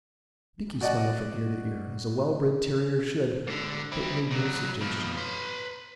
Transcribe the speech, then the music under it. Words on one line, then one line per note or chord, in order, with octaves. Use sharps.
Binkie smiled from ear to ear, as a well-bred terrier should, but made no suggestion.
F#4 D5 D#5 F#5
G#2 D3
C4 E4
A#2 F#3
B2 F3
B4 C6